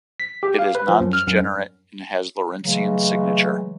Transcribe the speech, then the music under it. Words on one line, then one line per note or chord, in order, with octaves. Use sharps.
It is nondegenerate and has Lorentzian signature.
B6
G4
F5
B4
F3
F#2
F6
F#2
C#3 E3 F#3 G#3 A3